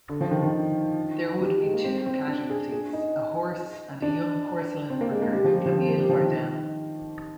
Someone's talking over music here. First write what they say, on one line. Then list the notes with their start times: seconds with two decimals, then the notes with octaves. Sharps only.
There would be two casualties: a horse and a young porcelain worker, Camille Vardelle.
0.09 D3
0.21 F3
0.31 D#3
0.43 D#3
1.41 G3
1.63 G#3
1.73 A#3
1.84 C4
2.06 C4
2.28 D4
2.50 G#4
2.72 G#4
2.93 D#4
4.02 D4
4.90 C4
5.01 A#3
5.11 G#3
5.22 A#3
5.33 G3
5.44 F3
5.55 G3
5.66 F3
5.77 C4
5.88 A#3
5.99 G3
6.09 F3
6.21 D#3